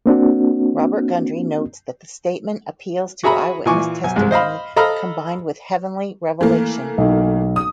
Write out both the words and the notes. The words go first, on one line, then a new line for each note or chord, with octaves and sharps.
Robert Gundry notes that the statement appeals to eyewitness testimony combined with heavenly revelation.
A#3 C4 D4 F#4
F#4 G#4 E5 A#5 B5
A#2 E3 G#5 C#6 D6
B1 G#5
C2 G#2 G#3
C5 D#5 F5 B5
A4 D#5 F5 A#5 B5 F6
E3 A3 A#3
B1
D#6